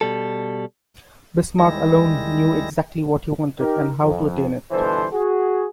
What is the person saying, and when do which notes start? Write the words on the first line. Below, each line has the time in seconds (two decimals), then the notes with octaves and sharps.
Bismarck alone knew exactly what he wanted, and how to attain it.
0.01 B2 G3 A4
1.59 D#2 D#3 G3 G#3 E4 A#6
3.59 D#4 G4 A#4
4.01 F2
4.71 G1 B2 E3 D4 A4 C5
5.12 F#4 G#4